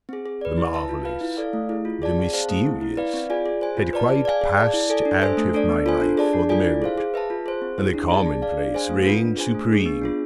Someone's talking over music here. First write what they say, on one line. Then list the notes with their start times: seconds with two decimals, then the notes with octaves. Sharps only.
The Marvellous--the Mysterious--had quite passed out of my life for the moment: and the Common-place reigned supreme.
0.09 C4 G#4
0.26 G#4
0.41 B4 D5
0.58 E4
0.73 B4 E5 A5
0.89 F4
1.05 B4 F5
1.21 E4
1.37 A4 D5 F5
1.53 A3
1.69 E4 G#4
1.85 F4
2.02 G#4 D5 A5
2.18 C4
2.33 G#4 C5 F5 A5
2.50 A3
2.65 C4 E4
2.81 E4
2.97 B4 D5 F5
3.13 C4
3.30 F4 G#4 D5 G#5
3.46 G#4
3.61 C5 G#5
3.77 F4
3.93 B4 D5 A5
4.09 G#4
4.25 D5 F5 G#5
4.41 G#4
4.57 D5 A5
4.74 E4
4.90 A4 D5 G#5
5.05 D4
5.22 A4 C5 E5 G#5
5.37 A3
5.54 D4 A4 D5
5.69 B3
5.86 F4 A4 C5 G#5
6.01 D4
6.17 G#4 D5 A5
6.33 D4
6.49 F4 A4 D5 G#5
6.66 E4
6.82 G#4 C5 F5
6.98 G#4
7.14 B4 E5 A5
7.30 F4
7.46 G#4 C5
7.62 C4
7.78 E4 G#4
7.94 D4
8.10 G#4 D5 A5
8.26 G#4
8.42 D5 F5
8.58 D4
8.74 G#4 C5 F5 G#5
8.89 A3
9.06 C4 F4 B4
9.22 D4
9.37 G#4 C5 G#5
9.54 A3
9.70 D4 G#4
9.85 B3
10.01 D4 F4 G#4